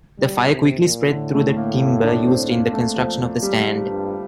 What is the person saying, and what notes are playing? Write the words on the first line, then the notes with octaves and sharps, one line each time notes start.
The fire quickly spread through the timber used in the construction of the stand.
G3
C3
A#2
A2 D3
A3
A#3
A#3
D4
C4
A#3
A3
F3
G3
G2